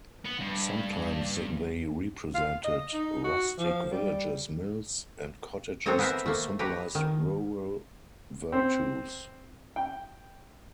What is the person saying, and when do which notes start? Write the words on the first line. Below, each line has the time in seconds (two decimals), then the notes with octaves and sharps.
Sometimes they represented rustic villages, mills, and cottages to symbolise rural virtues.
0.25 B3
0.39 G2
2.35 F5
2.64 D#5
2.93 D#4
3.24 F#4
3.58 F3
3.91 G3
5.86 G#3 C4 D#4 A4 C#5 D#5
5.99 B3 G#4 A#4 C5 E5
6.26 A3 A#3
6.59 G4 B4 C#5 A#5
6.95 D#3
8.52 C4
9.76 G5